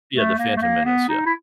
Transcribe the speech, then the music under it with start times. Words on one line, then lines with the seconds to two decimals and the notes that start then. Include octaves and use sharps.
Yeah, The Phantom Menace, yeah.
0.14 A3
0.38 A#3
0.56 A3
0.62 A#3
0.85 B3
1.08 D#4
1.26 E4